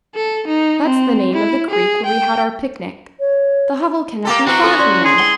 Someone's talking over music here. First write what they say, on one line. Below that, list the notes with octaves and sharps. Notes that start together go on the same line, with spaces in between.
That's the name of the creek where we had our pic-nic. The hovel cannot be far from there!
A4
D#4
C4
E4
G#4
G5
C#5
A#3 G4 A4
E3 C4 E4 F#4
C#4 A4
D5 C6
D4 G#4 C6
G5 C6